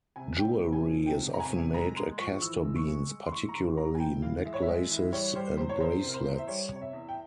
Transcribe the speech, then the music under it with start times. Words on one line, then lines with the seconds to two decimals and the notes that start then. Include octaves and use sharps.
Jewelry is often made of castor beans, particularly necklaces and bracelets.
0.16 C3 G#5
0.39 F3 G5
0.62 C3
0.73 G#5
0.84 F3
1.06 C3 G5
1.29 C3 A#5
1.40 G#5
1.52 C3
1.74 G#3 A#5
1.97 G#3 C6
2.19 F3 C#6
2.42 E3 E6
2.65 G#3
2.76 C#6
2.87 G#3
3.10 G#3
3.27 C6
3.32 E3 C#6
3.49 A#5
3.55 E3 C6
3.77 E3 A#5
3.95 G#5
4.00 E3 G5
4.22 E3 F5
4.45 G#3 E5
4.54 C#5
4.62 E5
4.68 G#3
4.90 E3
5.12 G3 C#5
5.35 G3 C5
5.57 E2 C5
5.69 C#5
5.80 E2 C5
6.03 C3
6.08 A#4
6.14 C5
6.25 E2
6.39 E5
6.47 G3 C#5
6.70 C3
6.76 C#5
6.81 E5
6.93 E2
7.09 G5